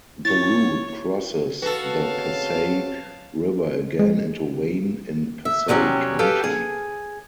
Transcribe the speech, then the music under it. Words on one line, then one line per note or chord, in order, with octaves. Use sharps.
The route crosses the Passaic River again into Wayne in Passaic County.
E4 C#5 A6
F#4 A4 B4 F5 A5
C#3 C4 C#5
G#3
E5
C3 F#3 G3 C#4
G4 A4 B4 F5 G5
G#4